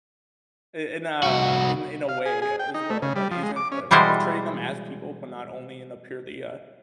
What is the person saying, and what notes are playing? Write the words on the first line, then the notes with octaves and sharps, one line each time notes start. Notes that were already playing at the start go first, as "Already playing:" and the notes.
i in a in in a way, uh, as well, that isn't of of treating them as people, but not only in a purely, uh,
C2 F#4
F5
G#4
G#4
G5
D#4
A3
C#3
G3
F3
G#3
D6
C#4
B2 E3 G3 G#3 C5